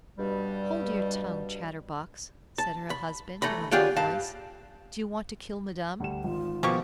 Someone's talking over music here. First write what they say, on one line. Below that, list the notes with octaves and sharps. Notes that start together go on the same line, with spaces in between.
"Hold your tongue, chatterbox," said her husband, in a low voice; "do you want to kill madame?"
G2 B2 G3
A5
B5
E3 A3 A#5 B5
F#3 D4 F4 G4 G#4
G2 F5 A5
D2 G3 E7
G#1 F4
B2 F3 A#3 G4 C#6